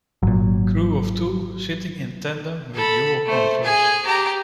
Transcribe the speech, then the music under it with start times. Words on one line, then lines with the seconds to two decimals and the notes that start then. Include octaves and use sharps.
Crew of two, sitting in tandem, with dual controls.
0.23 G#1 A#2 F#3
2.74 A4 B5
3.26 A3 C5
3.63 G#4 G#5
4.06 G4 A#5